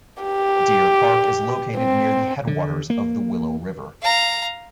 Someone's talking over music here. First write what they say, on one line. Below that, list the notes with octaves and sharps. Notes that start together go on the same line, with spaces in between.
Deer Park is located near the headwaters of the Willow River.
G4
C4
D3
A#3
F5 A#5